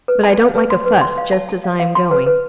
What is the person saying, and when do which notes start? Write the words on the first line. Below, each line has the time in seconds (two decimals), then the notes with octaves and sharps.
But I don't like a fuss just as I am going.
0.08 B4
0.24 A5
0.39 F5
0.55 B4
0.70 C6
0.86 B4
1.01 C6
1.18 F5
1.33 A5
1.49 A5
1.64 F5
1.80 F5
1.95 C6
2.11 B4
2.26 B4